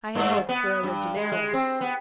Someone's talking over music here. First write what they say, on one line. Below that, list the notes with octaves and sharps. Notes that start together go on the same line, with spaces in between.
I had hoped for originality.
G2
B3
G2
G#3
G#3
C4
B3